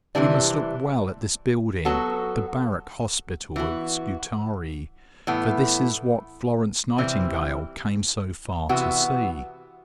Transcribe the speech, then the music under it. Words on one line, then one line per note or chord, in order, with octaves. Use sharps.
We must look well at this building, the Barrack Hospital of Scutari, for this is what Florence Nightingale came so far to see.
C3 E3 G3 D4
F#3 B3 F#4 A4
E3 B3 F#4
A2 E3 B3
C3 E3 G3 C4 E4
C3 E3 B3 F#4